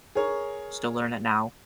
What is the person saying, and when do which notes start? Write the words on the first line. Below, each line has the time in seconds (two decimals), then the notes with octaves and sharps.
Still learn it now.
0.15 G#4 A#4 C#5